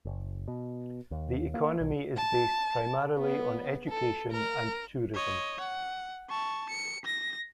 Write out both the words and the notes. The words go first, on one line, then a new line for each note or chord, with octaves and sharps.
The economy is based primarily on education and tourism.
F#1
B2
D#2
A#3
B1
A5
B3
A4
A#4
C#5 D#5
F#5
A5 C#6
C#7
A#6